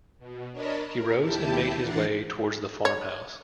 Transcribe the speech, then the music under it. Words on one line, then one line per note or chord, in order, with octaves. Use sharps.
He rose and made his way towards the farm-house.
B2
D4 A#4 C#5 D#5 A5 B5
A#4
D#2 E4 G4 A5 G6
E3 D4 F#5 A#5 A6 C7
C#5